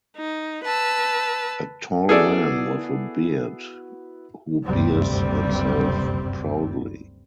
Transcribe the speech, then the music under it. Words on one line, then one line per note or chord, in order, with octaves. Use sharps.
A tall man with a beard, who bears himself proudly.
D#4
B4 A5 E6
B3 E4 F#4 G#4 A4 D5
F#1 D2 G2 C3 G3 C4